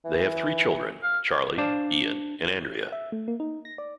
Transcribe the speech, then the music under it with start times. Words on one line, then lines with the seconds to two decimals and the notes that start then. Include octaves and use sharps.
They have three children; Charlie, Ian and Andrea.
0.05 E3
1.03 F5
1.58 D4 C5 D5 F5 A5
2.92 E5
3.12 A3
3.28 A#3
3.40 D#4
3.65 A#6
3.78 D5